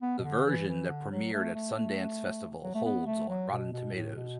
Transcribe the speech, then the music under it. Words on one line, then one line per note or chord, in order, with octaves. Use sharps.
The version that premiered at Sundance festival holds on Rotten Tomatoes.
B3
B2
D3
E3
E3
D3
F#3
A3
A3
F#3
A3
B3
A3
F#3
B2
B2
A2
B2